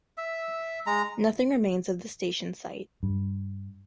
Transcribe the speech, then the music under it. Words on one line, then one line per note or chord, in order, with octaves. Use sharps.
Nothing remains of the station site.
E5
G#3 A#5
G2